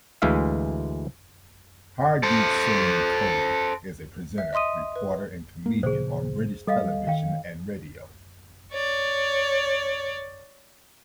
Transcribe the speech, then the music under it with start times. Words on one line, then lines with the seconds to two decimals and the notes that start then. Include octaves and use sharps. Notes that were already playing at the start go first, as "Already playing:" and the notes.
Hardeep Singh Kohli is a presenter, reporter and comedian on British television and radio.
0.22 D2 E3 G#3 E5 F5
2.23 A4 C5
4.38 E5
4.53 D#5 E5 C6 D#6 D#7
4.96 B4
5.66 A#3
5.83 A#2 C#3 F3 G#4 C5
6.67 G3 A4 D#5 F5
7.07 D#3 F5 G5
8.72 C#5 D5